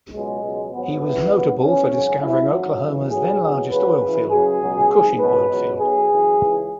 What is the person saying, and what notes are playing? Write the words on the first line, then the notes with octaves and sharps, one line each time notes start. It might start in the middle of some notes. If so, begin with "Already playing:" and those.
He was notable for discovering Oklahoma's then-largest oil field, the Cushing Oil Field.
C#2 B2 F#3 G#3
C#2 B2 F#3
G#1 G#2 F#3 B3
C#2 C#3 E3
G#1 F#2 F#3
E2 E3 C#4
G#1 F#2 C#3 F#3
C#2 B2 F#3 E4
G#1 F#2 F#3
G#1 F#2 C#3 E3
B1 B2 F#3 G#4
E2 B2 F#3
C#2 C#3 F#3 B4
F#2 C#3 E3
F#2 C#3 F#3 G#4
C#2 B2 F#3
G#1 G#2 F#3
C#2 B2 F#3 B4
C#2 B2 F#3
B1 B2 F#3 G#4
F#2 E3
C#2 C#3 E3